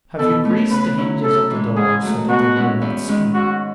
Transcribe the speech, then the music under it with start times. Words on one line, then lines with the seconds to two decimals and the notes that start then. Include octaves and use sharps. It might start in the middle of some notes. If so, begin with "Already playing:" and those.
"Have you greased the hinges of the door so that they will not squeak?"
0.18 B2 A4
0.45 A3 C#4
0.71 C#3 B4
0.98 F#3 C#4 E4
1.24 F#2 A4
1.50 E3 G#3
1.76 G#2 G#4
2.02 F#3 A3
2.29 B2 F#4
2.56 G#3 C#4 E4
2.82 E2
3.08 D#3 G#3 C#4
3.34 G#2 F#4